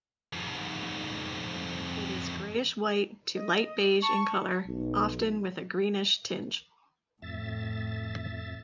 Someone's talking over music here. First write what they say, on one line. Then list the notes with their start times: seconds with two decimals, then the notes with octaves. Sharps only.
It is greyish-white to light beige in colour, often with a greenish tinge.
0.33 F2 G#2
3.35 D#5
4.02 A5 C#6
4.67 B1
7.22 F2 A2 E5 A6